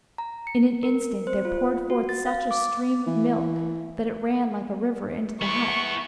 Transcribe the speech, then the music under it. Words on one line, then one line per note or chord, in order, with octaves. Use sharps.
In an instant there poured forth such a stream of milk that it ran like a river into the hut.
A#5
C#7
A#4
C5
F4
F#4
A6
F5
D6
E3
B3 E4 C#6